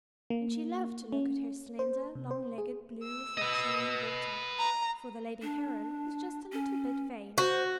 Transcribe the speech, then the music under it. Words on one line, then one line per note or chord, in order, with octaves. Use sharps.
And she loved to look at her slender, long-legged blue reflection in the water; for the lady Heron was just a little bit vain.
A#3
C#4
C5
C3
C5
G#4
E6
B4 D#5
A#5
D4
C#4
F#4 C5